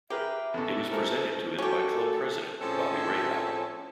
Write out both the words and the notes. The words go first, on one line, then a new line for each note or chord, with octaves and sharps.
It was presented to him by club president Bobby Rahal.
G4 G#4 A#4 B4 E5
E2 B2 A4
G#3 A3 A#4 C5
C#4 F#4 G4 A4
A2 F3 C4 C#4 G#4 A4